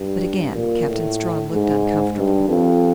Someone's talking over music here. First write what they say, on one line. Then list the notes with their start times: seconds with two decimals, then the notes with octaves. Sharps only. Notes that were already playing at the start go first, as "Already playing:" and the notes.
But again Captain Strawn looked uncomfortable.
Already playing: G2
0.55 A#2
0.88 A2
1.52 G#2
2.16 G2
2.49 F2